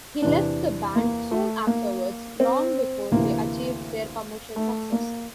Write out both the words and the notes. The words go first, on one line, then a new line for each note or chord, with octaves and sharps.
He left the band soon afterwards, long before they achieved their commercial success.
E2 C3 E3 D4
A#3
A3
A#3
C4
D2 C3 E3 A#3
A3
A#3